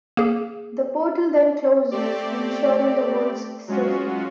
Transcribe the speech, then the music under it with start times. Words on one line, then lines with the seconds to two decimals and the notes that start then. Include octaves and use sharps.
The portal then closes, ensuring the world's safety.
0.17 A#3 G#4
1.91 A3 C4 G4 D5
3.68 F#3 G#3 C#4 F4 F#4